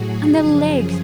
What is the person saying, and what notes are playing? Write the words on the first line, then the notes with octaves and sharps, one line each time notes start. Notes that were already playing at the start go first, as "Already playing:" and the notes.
And the legs!...
Already playing: A2 F#3 F#4 G#4
F#2 C#3 F3